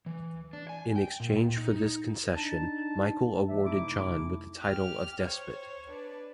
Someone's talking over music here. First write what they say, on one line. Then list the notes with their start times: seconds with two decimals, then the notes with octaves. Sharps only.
In exchange for this concession, Michael awarded John with the title of Despot.
0.06 E3
0.53 D4
0.69 G#5
0.96 G5
1.20 A#2
1.57 D#4
2.36 D4 D#4 A5
3.48 E3 A3 D4 G4 E5
3.66 F2 C3 A3 D#4 E4 D6
4.61 G4 F6
5.25 C5 C#5
5.89 D4 B4